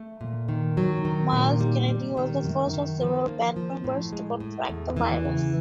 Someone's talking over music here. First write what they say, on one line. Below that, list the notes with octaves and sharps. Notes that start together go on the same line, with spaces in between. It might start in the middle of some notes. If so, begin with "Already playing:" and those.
Myles Kennedy was the first of several band members to contract the virus.
Already playing: A3
A#2
D#3
F#3
D#3
A#2
G3
G3
D#3
F#2
D#3
F3
A#3
F3
A2
G#3
A2
E2
E3
C#3